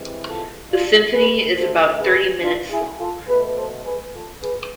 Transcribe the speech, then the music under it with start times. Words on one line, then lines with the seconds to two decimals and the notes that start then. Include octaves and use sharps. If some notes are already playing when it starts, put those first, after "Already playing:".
The symphony is about thirty minutes long.
Already playing: C3 E3 G#3
0.28 F4 A4
0.71 D4 F4
1.13 G#4 B4
1.56 D3 A3 A4 C5
1.99 G#4 B4
2.42 D4 F4
2.71 E4 G#4
3.00 F4 A4
3.28 B2 A3 G#4 B4
3.57 A4 C5
3.85 G#4 B4
4.14 F4 A4
4.42 G#4 B4